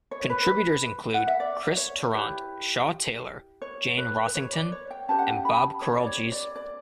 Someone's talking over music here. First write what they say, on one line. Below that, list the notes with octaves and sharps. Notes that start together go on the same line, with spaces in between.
Contributors include Chris Tarrant, Shaw Taylor, Jane Rossington and Bob Carolgees.
C#5
C#5
B4
B4
F#5
E5
D5
C#5
E4 G4 B4
C#5
B4
B4
C#5
D5
C#5
G5
C#4 G4 B4 A5
F#5
G5
B5
C#5
D5
C#5
D5
D5